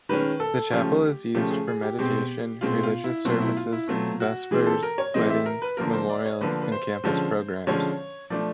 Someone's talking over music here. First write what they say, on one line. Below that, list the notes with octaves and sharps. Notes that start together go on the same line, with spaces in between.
The chapel is used for meditation, religious services, vespers, weddings, memorials and campus programs.
D#3 G#3 C#4 B4
A4
C#3 F3 A3 C#4 G4
C#3 F3 A3 C#4 G4
G#4
G#4
G4
B2 G#3 C4 G4
B2 G#3 C4 F4
F4
E4
B2 F#3 A3 C4 F4
E4
F4
E4
B2 F#3 A3 C4 F4
F#4
E3 G#3 C4 G#4
A4
A#4
C#5
E3 G#3 C4 D#5
E5
A#4
B4
D3 F3 A#3 A#4
C5
D5
C#5
D3 F3 A#3 B4
B4
C5
D3 F3 G#3 C#4
D3 F3 G#3 C#4 C#5
F3 A3 D4 D5